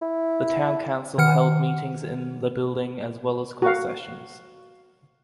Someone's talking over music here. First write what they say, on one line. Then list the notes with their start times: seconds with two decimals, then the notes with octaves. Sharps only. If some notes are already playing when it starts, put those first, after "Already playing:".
The town council held meetings in the building as well as court sessions.
0.02 E4
1.18 D#3 F#5 F6 C#7
3.62 F#4 F5